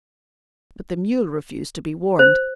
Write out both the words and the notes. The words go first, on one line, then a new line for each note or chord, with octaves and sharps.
But the mule refused to be warned.
C5